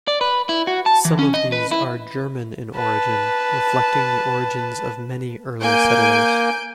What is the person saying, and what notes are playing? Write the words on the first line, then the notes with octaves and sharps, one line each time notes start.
Some of these are German in origin, reflecting the origins of many early settlers.
D5
B4
E4
F#4
A5
E3
C#4
D#5
B4
E4
B4 A5
A#3 G#5 G6 D7